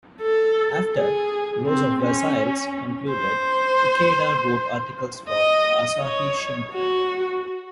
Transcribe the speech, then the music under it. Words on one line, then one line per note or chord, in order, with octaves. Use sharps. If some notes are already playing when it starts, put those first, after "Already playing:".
After "Rose of Versailles" concluded, Ikeda wrote articles for Asahi Shimbun.
A4
G#4
C4
C#4
C5
D#5
C#5
F#4